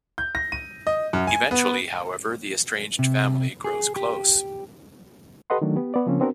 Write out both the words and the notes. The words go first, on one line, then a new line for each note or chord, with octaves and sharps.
Eventually, however, the estranged family grows close.
G6
A#6
D#7
D#5
F#2
G#5
B3
C3
G#4
G4
G4 A4 B4 D#5 F#5 C6
D#3 F#3 A3 D4
B3 G4
B3 D5
C#3 F3 A#3 C4 C#4
B3 C4 D4 F#4 A#4